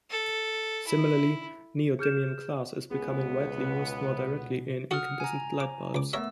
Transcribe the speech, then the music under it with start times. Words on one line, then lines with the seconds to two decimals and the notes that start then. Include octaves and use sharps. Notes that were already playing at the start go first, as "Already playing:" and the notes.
Similarly, neodymium glass is becoming widely used more directly in incandescent light bulbs.
0.10 A4
0.87 E4
1.99 G#4 F6 G6 E7
2.91 C#2 B2 B3 G#4
4.91 F#4 A4 F#5 D#6 F6
5.20 G#5 A#5
5.60 D6
5.95 C#2 D6
6.13 A3 B3 A#4 C#5 E5 E6